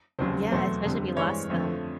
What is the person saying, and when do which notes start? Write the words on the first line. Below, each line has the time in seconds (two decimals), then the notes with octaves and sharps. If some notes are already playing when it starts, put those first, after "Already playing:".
Yeah, especially if you lost them.
0.19 F1 D#2 C#3 F#3 C5
0.51 E2 B2 F#3 A3 C4 C5
0.85 F1 F2 D3 G3
1.17 G2 E3 G#3 C4 C#5
1.50 F2 D3 F3 A3